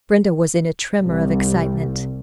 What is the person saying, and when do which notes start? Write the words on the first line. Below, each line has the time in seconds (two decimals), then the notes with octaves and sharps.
Brenda was in a tremor of excitement.
1.01 C2